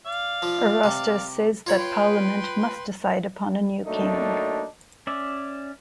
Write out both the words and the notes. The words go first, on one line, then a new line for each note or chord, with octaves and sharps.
Arostus says that Parliament must decide upon a new King.
D5 F5
F3
C3
F4 C#5 B5
B4 G5 C6
F#3 A3 A#3 D4 D#4
C#4 D5 E5